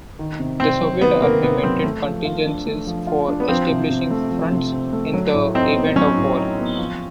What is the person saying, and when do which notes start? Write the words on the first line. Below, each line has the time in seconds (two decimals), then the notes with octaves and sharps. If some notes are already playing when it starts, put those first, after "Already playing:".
The Soviet Army maintained contingencies for establishing fronts in the event of war.
0.19 D#3
0.40 C3
0.60 C3 C4
0.81 F#3
1.01 D#3 B3
1.22 C3 A#3
1.43 C3 B3
1.63 F#3 C4
1.83 A3
2.04 F3
2.25 F4
2.45 D4
2.66 A3
2.87 F3
3.07 F4
3.28 D4
3.40 B3
3.48 F3 C4
3.70 C3
3.90 C3
4.10 A3
4.31 F3
4.52 C3
4.72 C3
4.93 A3
5.14 F#3
5.34 A2
5.55 C4 D#4
5.76 B3
5.96 F#3 C#4
6.17 A2
6.37 D#4
6.58 B3
6.78 F3